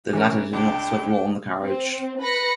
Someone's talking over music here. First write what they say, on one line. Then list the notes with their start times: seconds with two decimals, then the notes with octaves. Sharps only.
The ladder did not swivel on the carriage.
0.13 E3 C#4 A#4
0.53 C#2 D4 G5
1.63 C4
2.21 B4 B5 A#6 C#7